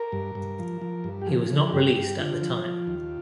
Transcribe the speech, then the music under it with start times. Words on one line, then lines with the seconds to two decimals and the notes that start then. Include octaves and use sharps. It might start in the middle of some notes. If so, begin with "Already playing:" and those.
He was not released at the time.
Already playing: A#4
0.12 G2
0.35 G2
0.59 F3
0.82 F3
1.04 G2
1.22 G4
1.27 F3 G#4
1.51 F3
1.72 G2 G4
1.95 G2
2.19 D3 F4
2.42 F3
2.65 F3
2.87 D#2